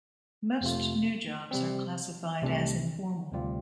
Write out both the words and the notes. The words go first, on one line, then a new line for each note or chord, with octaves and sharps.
Most new jobs are classified as informal.
F2 C3 A3 F4
C3 G3 C4
C2 C3 A3 D4
D2 C3 G3 C4 F4